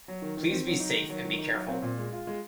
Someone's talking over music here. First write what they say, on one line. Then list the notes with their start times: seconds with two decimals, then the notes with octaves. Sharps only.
Please be safe and be careful.
0.08 F#3
0.22 D#3
0.37 D#3
0.51 C4
0.66 F#3
0.80 D#4
0.96 D#3
1.09 F#3
1.25 D#3
1.39 D#4
1.54 F#3
1.68 C4
1.82 A#2
1.97 G#3
2.12 F4
2.27 G#3